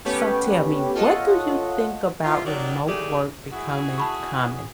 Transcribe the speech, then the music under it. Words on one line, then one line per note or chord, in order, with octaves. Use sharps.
So tell me, what do you think about remote work becoming common?
A3 B3 C#4 G4 B4 C#5
F4 A4 C#5 D#5 F#5
B2 F3 E4 F4
D#3 F#3 D4
D#2 A2 A3 G4 G#4 D5
E4 F#4 G#4
A5 B5 C#6